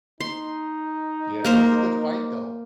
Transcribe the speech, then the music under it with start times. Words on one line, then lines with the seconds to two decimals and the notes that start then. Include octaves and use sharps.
Yeah, it was a good fight, though,
0.21 D#4 C6
1.45 A#3 A#4 C5